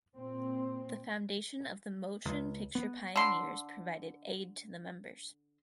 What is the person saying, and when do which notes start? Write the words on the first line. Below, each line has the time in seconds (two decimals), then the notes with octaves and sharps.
The Foundation of the Motion Picture Pioneers provided aid to the members.
0.15 A#2 C4
2.25 C#2
2.75 B3
3.16 D3 C6